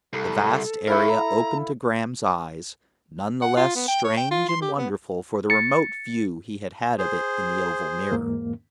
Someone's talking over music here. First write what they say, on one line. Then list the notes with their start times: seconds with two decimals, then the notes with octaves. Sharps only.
The vast area opened to Graham's eyes, none the less strange and wonderful for the remote view he had had of it in the oval mirror.
0.13 C2 A4
0.88 E4 A#4 C#5 F5
1.10 A#5
3.42 F#5
3.57 F4
3.76 B3
3.88 G5
4.05 C#5
4.17 G5
4.31 F4
4.49 C6
4.62 G4
4.78 B3
5.50 A6 C#7
6.98 G#4 C5
8.11 E2 G#2 A#3